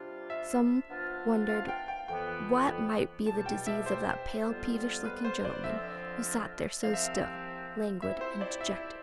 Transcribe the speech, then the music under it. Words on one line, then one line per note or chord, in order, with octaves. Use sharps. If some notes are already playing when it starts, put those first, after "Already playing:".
Some wondered what might be the disease of that pale, peevish-looking gentleman, who sat there so still, languid, and dejected.
Already playing: C3 G3 D4 F4
E5
F3 B3 D4 F4
F5
G5
G5
F2 E3 B3 G5
E2 B2 G3 A5
G5
E5
C5
F2 C3 G3 B3 F4
B4
C5
D5
F2 D3 F3 C4 F4 E5
C2 C3 F3 C4 F5
E5
F5
C3 F3 C4 E4 E5
C5
D5
E5